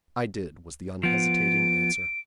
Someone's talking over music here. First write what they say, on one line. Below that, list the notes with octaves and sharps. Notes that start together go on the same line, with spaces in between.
"I did," was the unhesitating answer.
F3 B3 D7